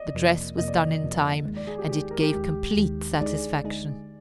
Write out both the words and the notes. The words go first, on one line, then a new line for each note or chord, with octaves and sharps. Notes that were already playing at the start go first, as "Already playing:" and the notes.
The dress was done in time, and it gave complete satisfaction.
Already playing: D5 D#5
F2 C3 F3 A#3
F2 C3 F3 A#3 D#5
D5
D#5
F2 C3 F3 A#3
D#2 D#3 G#3
D5
G#4
G4
D#2 D#3 G#3 G4
A#4
G4
D#2 D#3 G#3 G4
D#2 D#3 G#3
D2 D3 G#3 D#4 G#4 D5
D2 D3 G#3 D#4 G#4